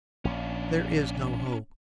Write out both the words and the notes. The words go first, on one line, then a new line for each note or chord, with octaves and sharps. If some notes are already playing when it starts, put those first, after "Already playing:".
There is no hope.
A#1 C#4 D4